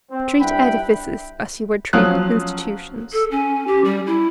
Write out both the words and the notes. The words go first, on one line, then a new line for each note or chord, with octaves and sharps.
Treat edifices as you would treat institutions.
C4
G2 D4 E4 F#5 G5 B5
F3 F#3 C#4 F5 D#6 F#6
A4
C#4
G4
G3
E4